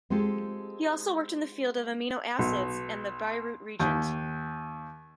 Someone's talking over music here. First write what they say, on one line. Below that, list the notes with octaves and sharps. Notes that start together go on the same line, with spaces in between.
He also worked in the field of amino acids and the Biuret reagent.
G#3 C4 F4 G4 A4
B1
D#2